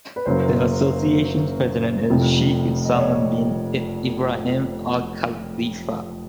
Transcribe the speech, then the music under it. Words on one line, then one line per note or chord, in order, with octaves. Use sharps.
The Association's President is Sheikh Salman Bin Ibrahim Al-Khalifa.
B4
F#1 F#2 C#3 F#3 A#3 C5
F1 F2 C3
D#5
D5
C#5